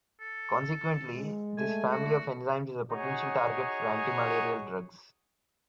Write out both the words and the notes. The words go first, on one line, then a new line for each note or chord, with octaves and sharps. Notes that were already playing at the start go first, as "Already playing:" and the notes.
Consequently, this family of enzymes is a potential target for antimalarial drugs.
A4
G#3
A3 G#5
F#4
D#4 F#4 G#4 C#5